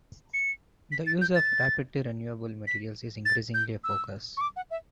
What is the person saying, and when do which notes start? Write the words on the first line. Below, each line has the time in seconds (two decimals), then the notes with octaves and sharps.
The use of rapidly renewable materials is increasingly a focus.
0.34 C#7
0.92 B6
1.07 A6
1.21 G6
1.35 A6
2.67 B6
3.25 A6
3.54 G6
3.84 E6
4.37 C#6
4.41 D6
4.56 F#5
4.71 E5